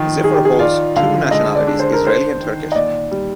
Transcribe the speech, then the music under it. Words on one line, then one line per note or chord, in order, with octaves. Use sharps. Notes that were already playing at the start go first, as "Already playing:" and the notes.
Ziffer holds two nationalities: Israeli and Turkish.
Already playing: D#3 F3
D#3 G#4
G4
G#4
F4 D5
D3 F5
G#3 D#5
D5
D4
C5
A#4
D4 C5
D#3
D#5
A#2 D5
G3